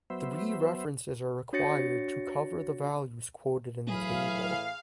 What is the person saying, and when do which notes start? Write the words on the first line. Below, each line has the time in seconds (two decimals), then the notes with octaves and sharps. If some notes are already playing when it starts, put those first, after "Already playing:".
Three references are required to cover the values quoted in the table.
0.10 F#3 B3 C5 E5
1.53 D4 F#4 C#5 A6 A#6 C#7
3.87 A2 E3 F#3 G#4 F5 B5